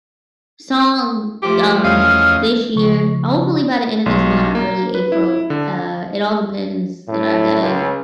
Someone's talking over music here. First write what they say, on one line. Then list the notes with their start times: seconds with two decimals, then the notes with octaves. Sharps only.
song, um, this year, hopefully, by the end of this month or early April, uh, it all depends that I gotta
1.42 F3 A3 G4 D6
1.84 E2 C#4 D#5 F5 F6
2.76 C#3 F3 C#6
4.06 B1
4.55 A#3
4.95 B4
5.12 E4
5.50 D3
7.08 A2
7.60 C#2